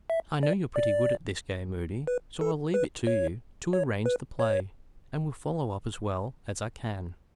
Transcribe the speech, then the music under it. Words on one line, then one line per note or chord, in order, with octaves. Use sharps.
I know you're pretty good at this game, Moody, so I'll leave it to you to arrange the play, and will follow up as well as I can.
E5
D5
D5
B4
A4
B4
C#5
C#5
B4
C#5